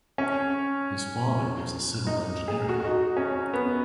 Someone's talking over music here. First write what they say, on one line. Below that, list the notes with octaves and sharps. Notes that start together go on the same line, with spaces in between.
His father was a civil engineer.
C#4
D#4
G#4
F#4
F#4
D#4
C#4
C#4
B3